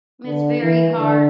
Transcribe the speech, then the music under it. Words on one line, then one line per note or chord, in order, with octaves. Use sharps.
Mm, it's very hard,
D3
E3
D3